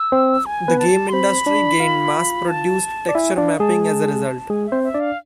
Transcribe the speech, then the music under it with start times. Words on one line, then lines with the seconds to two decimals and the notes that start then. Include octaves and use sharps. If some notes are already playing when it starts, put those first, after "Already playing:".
The game industry gained mass-produced texture mapping as a result.
Already playing: E6
0.12 C4 C5
0.46 G#5
0.68 B3 B4
0.79 A5
1.09 C6
1.13 C4 C5 B5
1.46 D4 D5
1.80 F4 F5
2.48 A5
3.09 D5
3.15 E4 E5 G#5
3.37 D4 D5 F5
3.60 G#3 G#4 A5
3.83 A5
4.50 G#3 G#4 G#5
4.66 E5
4.72 C4 C5
4.84 E5
4.94 D4 D5
5.00 F5